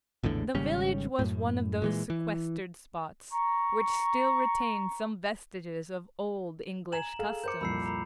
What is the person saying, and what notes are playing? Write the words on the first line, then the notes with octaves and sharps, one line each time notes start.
The village was one of those sequestered spots which still retain some vestiges of old English customs.
A#1 E2 A2 D3
G#1 C#3 G3 C#4
F#2 A2
A#2 E3 G#3
E3
A#5 C#6
G#5 A#5 G#6 E7 F#7
G#4 A4 F5
A#4 C5 D6 G6 C#7
C2 F2 A#2 B5 E6 C7
A#5 B5